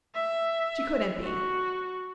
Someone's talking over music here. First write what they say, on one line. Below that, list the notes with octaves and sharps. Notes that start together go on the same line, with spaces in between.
She couldn't be.
E5
F#4